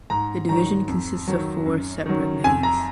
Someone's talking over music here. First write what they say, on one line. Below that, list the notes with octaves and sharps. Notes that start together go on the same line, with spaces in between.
The division consist of four separate leagues.
G#2 A#5
D#3 F#3 A#5
F2
D#3 F#3
F#2
D#3 F#3
F2 G#5
A#5